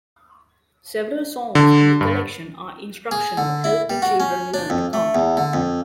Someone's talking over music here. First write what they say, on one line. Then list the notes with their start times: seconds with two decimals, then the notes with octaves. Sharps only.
Several songs in the collection are instructional, helping children learn to count.
1.55 D3
2.01 G2
3.11 G#4
3.37 D3
3.64 E4
3.90 G3
4.02 F#4
4.20 C#4
4.54 D4
4.70 F2
4.93 A3
5.15 E2
5.37 D3
5.53 F2